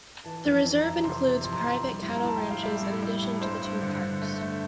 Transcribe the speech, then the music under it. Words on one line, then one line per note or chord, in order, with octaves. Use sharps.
The reserve includes private cattle ranches in addition to the two parks.
E3 A5
F2
A5
E3
A#5
F2
C3 C6
C3
F2 C6
A#5
F2 C6
G3 C6
A2
A#5
A2 A5
G5
A2
F5
G3 E5
A2
G3
A2
G2 C5
G2
D3
D3
A3
A3